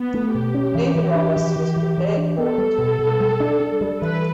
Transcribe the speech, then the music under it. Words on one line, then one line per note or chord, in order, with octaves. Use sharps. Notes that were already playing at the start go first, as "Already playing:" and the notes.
Neither of us was prepared for it.
Already playing: B3
A3
B2 G4
C#4
E3
E3
D4
E3
E3
E3
E3
D4
B3 A4
G3
B2
B2
G3
D4
D4
G3
E3 B4